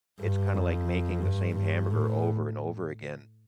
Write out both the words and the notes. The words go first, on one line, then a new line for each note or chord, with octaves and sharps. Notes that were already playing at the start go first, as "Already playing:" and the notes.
It's kinda like making the same hamburger over and over again.
G2
F2
G2
G2
A2